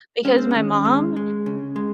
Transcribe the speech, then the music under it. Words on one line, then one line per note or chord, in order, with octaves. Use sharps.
because my mom
G#3 C#4
C4
D#3 C#4
G#3
G#3
C#3
G#3